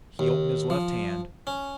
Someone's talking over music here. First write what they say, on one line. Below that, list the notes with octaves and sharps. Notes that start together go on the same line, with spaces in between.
He opened his left hand.
D#2
F3
C#4